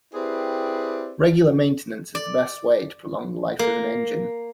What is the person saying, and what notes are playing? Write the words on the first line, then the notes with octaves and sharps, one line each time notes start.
Regular maintenance is the best way to prolong the life of an engine.
C4 E4 G4 G#4 B4 D5
D5
A#3